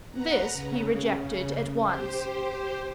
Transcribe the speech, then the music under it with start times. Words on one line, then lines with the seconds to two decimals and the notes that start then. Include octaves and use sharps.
This he rejected at once.
0.11 B4 F#5 A#5
0.52 C#3
1.80 G4 C5